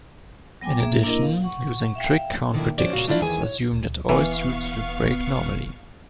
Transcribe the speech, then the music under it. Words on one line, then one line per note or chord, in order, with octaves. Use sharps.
In addition, losing-trick count predictions assume that all suits will break normally.
F#3 B3 G5 G#5 D6
A#3 G#4 E5
A#3 D4 E4 A#4 D#5
F5
F#5 C#6
E5 F5 G5
D3 D#3 F3 A#3 D4 E4
F3 C#4 F#4 C5 D5
A#2 C#3 F#4 F5
A3 D4 E4 F4 D5
D#2 D#3 E3 E4 G#4 G#5
C#5
D2
E1 E3 B3 F5 C#6